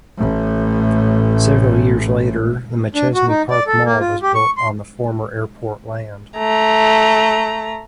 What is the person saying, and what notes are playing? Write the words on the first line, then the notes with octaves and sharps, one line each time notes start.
Several years later the Machesney Park Mall was built on the former airport land.
A1 A2
D4
F#4
D#4
D5
A4
A#3
F4
G4
C#6
C6
A3 A#5